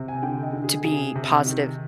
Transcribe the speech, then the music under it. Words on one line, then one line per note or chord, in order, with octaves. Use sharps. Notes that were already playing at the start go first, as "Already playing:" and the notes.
to be positive
Already playing: C3
G#5
D3 G5
D#5
D3
G#4
C3 G#4
C3
D#3